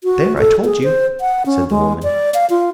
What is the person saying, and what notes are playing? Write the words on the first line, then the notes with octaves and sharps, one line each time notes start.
"There, I told you!" said the woman.
F#4
A4
G#4
C5
F#5
C#4
G#3
D5
F5
F4